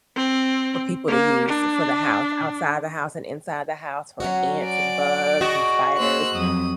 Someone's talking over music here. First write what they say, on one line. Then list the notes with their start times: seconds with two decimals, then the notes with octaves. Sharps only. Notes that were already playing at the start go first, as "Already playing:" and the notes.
for people to use, for the house outside the house and inside the house for ants, and bugs, and spiders,
0.16 C4
1.08 A#3
1.49 D4
4.20 F#3 C#4 F#4
4.64 D5 D7
5.41 F#4 G#4 D#5
5.98 A#3 C5 E6 F#6
6.36 F2 F#3 D#6